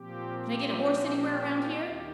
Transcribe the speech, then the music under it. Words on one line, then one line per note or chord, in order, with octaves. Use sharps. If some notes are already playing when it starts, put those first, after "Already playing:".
"Can I get a horse anywhere around here?"
Already playing: A#2 F3 C4 G4
G4
D#2 D#3 G4